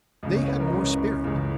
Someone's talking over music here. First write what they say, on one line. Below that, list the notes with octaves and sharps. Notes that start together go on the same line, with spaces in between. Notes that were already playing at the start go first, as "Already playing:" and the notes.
They have more spirit.
C#2 C#3 E3 D#5
C#5
B4
A#4
D#5
C#2 C#3 E3 C#5
C#2 C#3 E3